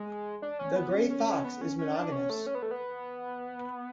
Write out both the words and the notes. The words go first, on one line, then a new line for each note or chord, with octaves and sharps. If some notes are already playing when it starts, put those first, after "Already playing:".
The gray fox is monogamous.
Already playing: G#3
D4
C#4
B3
C#4
C#4
C#4
B3
C#4
C#4
D4
C#4
A3
C#4
B3
A3
B3